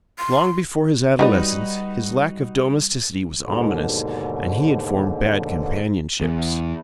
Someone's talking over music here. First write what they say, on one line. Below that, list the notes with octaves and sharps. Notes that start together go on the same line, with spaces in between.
Long before his adolescence, his lack of domesticity was ominous, and he had formed bad companionships.
C6
G3 D#4 F#4 G4 B4 D5 D#5
D#2 G#2 B2 D3
E2